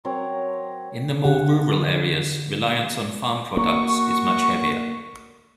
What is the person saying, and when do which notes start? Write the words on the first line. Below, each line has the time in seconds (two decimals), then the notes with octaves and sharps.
In the more rural areas, reliance on farm products is much heavier.
0.05 F#3 C4 A#4 C#5
1.24 D3 G4 F#5
3.57 A#3 F#4 C#6